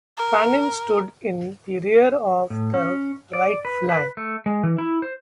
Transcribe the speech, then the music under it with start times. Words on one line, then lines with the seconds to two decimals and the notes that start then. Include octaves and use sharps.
Fannin stood in the rear of the right flank.
0.17 A#4
2.50 A2
2.74 C#4
3.33 D5
3.65 B4
3.89 B4
4.17 A3
4.46 G#3
4.63 E3
4.78 E4
5.02 C5